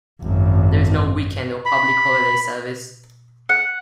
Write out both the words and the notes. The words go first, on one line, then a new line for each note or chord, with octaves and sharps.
There is no weekend or public holiday service.
G#1 F#2
B5
F#5